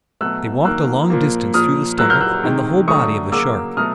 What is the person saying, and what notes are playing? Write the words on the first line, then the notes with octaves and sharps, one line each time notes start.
They walked a long distance through the stomach and the whole body of the Shark.
B2 F#3 A3 E6 F#6
D#3 F#3 A#3 E6 F#6
A#2 F3 A#3
A#2 F3 A#3 D#6 F6
A#2 F#3 A#3 E6 F#6
F6 G6
E6 F#6
C3 D#3 G#3
D3 F#3 A3 C#6 D#6
C#3 F#3 A#3 D6 E6
B2 F#3 A3 D#6 F6